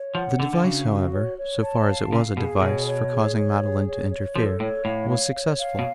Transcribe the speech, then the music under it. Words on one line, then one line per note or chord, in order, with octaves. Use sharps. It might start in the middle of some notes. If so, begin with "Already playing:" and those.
The device, however, so far as it was a device for causing Madeline to interfere, was successful.
Already playing: C#5
F3 F#5
D3 D4
D3
C#3 F#4
F#4
C#5
C#5
A5
F5
C#3 F5
B2 G#4
B2 C#5
C#5
G#4
C#5
G#4
C#5
C#5
F3 A4
A2 C#5
A2 F5
C#5
C#5
F5
B2